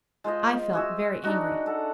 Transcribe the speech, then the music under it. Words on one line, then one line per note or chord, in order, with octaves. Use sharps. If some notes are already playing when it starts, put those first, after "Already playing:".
I felt very angry.
G#3 F4 C5 D#5
F#4 G#4 E5
D4 D#4 F#4
A4 F#5